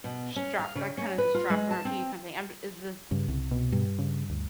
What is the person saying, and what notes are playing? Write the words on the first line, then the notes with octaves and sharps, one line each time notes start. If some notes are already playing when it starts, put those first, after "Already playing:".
strap like, kinda has a strap, an RT kinda thing. I'm is this
B2
C#4
F5
C#3
C#4
B4
F4
G#3
A5
C4
G2 C#3
C2
B2
G2
C#3
D2